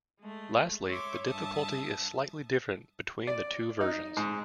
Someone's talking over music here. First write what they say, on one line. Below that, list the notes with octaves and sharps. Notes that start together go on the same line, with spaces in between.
Lastly, the difficulty is slightly different between the two versions.
G#3 A3
C#5 E5 C6 D6
G2 E5 A5 D#6
D5
D#4
G#2